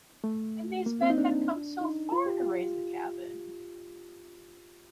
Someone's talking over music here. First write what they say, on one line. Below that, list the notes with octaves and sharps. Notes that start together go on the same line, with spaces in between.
And these men had come so far to raise a cabin!
A3
A#3
C4
D#4
D4
D#4
F4
G4
F4